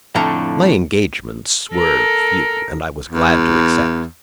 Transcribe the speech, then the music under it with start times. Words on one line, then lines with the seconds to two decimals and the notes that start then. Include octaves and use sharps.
My engagements were few, and I was glad to accept.
0.15 F2 A2 D3 A3 A#5
1.73 A4 A#4
3.09 E2